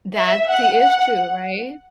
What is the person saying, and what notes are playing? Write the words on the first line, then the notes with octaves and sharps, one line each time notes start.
That's the issue, right?
E5
F#5
F#5